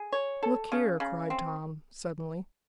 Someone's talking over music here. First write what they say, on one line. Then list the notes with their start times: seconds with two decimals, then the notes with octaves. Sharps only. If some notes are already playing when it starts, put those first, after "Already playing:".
"Look here!" cried Tom, suddenly.
Already playing: G#4
0.13 C#5
0.43 A4
0.72 C#3
1.00 C#3
1.30 C4